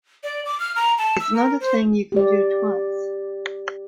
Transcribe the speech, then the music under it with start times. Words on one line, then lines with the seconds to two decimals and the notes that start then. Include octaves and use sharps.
It's not a thing you can do twice.
0.23 D5
0.45 D6
0.60 F6
0.76 A#5
0.98 A5
1.20 E6
1.34 A#4
1.60 C5
2.12 G4 D5